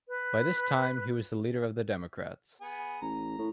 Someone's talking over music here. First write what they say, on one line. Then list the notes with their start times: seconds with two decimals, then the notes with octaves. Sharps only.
By this time, he was leader of the Democrats.
0.08 B4
2.61 B3 G#4
3.02 A1 A#5
3.38 A2